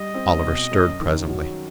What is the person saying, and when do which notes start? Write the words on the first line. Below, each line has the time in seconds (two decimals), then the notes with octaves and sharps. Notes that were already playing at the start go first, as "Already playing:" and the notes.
Oliver stirred presently.
Already playing: G3 D#5
0.14 C4
0.43 B2
0.71 F#2
1.00 D#3
1.28 F#3